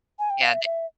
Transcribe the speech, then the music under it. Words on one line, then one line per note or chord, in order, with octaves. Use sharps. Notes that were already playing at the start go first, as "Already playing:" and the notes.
Yea, they
G#5
G5
F5
E5
E5